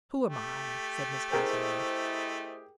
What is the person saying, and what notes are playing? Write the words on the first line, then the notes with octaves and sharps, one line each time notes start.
"Who am I?" said Miss Cassewary.
A3 G4
E4 G#4 A#4 C5 D#5 G5